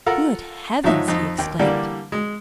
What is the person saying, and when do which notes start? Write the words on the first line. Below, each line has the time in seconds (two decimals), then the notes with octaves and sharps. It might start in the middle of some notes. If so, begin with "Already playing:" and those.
"Good heavens!" he exclaimed.
0.06 F4 A4 A#4 F#5
0.84 G#2 F3 F#3 D#4 E5
1.08 F2 D#4
1.38 D#2 G5
1.59 D3 E3 G3 A#3 D4
2.12 G#3